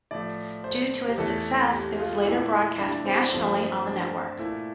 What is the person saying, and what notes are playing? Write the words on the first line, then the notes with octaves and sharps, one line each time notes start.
Due to its success, it was later broadcast nationally on the network.
A2 F3 A3 D5
C5
G4
E2 E3 A3 A4
G4
F4
A#2 A3 E4
D4
C4
G2 F3 A3 C4
D4
A#2 A3 E4